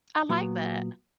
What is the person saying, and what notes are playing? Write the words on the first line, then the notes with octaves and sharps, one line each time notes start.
I like that.
A#2 F#3 B3